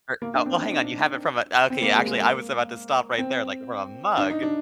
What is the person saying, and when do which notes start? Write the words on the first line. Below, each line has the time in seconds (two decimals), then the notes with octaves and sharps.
Or oh, hang on. You have it from a okay, actually, I was about to stop right there, like, from a mug?
0.22 A#3
0.34 D4
0.46 C4
0.59 D#4
0.71 D4
1.70 C4
1.82 A#3
1.95 G#3
2.07 G#3
2.19 A#3
3.18 C4
4.17 D4
4.30 D#4
4.43 D4